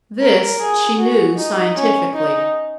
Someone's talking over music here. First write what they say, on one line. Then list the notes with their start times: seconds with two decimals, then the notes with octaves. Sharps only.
This she knew scientifically.
0.21 A#4
0.60 G#4
0.99 F#4
1.37 D#4
1.76 C#4
2.14 D#4